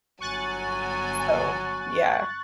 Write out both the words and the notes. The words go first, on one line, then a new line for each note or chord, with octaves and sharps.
“So, yeah,
G1 F#3 G#5 C#6 F#6 A6